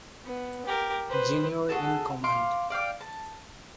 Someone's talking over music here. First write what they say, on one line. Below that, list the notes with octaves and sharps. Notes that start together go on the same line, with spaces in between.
Junior in command.
B3
G4 A#4
B4 C5
F#4 G#4 A4 A5
F5 C6 D6
D5 F5 G5 D6
A5